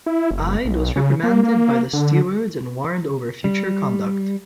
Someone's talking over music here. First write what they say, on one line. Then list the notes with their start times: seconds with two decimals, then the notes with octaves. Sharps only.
Ide was reprimanded by the stewards and warned over future conduct.
0.06 E4
0.31 F#1
0.65 B1
0.96 C#3
1.23 A#3
1.43 A#3
1.93 D3
3.44 G3